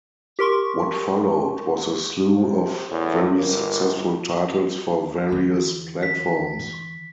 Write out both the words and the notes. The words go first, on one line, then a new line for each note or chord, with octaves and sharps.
What followed was a slew of very successful titles for various platforms.
G4 A#4 C6 C#6
C3
E2 A2
G1 A#3
E2 D3
B6